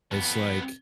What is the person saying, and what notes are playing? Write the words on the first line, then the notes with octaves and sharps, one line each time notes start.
it's like,
F2 B3